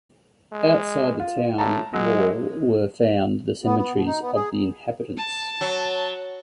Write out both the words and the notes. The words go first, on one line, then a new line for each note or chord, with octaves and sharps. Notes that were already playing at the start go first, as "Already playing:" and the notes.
Outside the town wall were found the cemeteries of the inhabitants.
G#3
F4
A2 A5 A#5
F#3 G#3
B3
B3
B2
D#4
B3
G#4
A5
F#3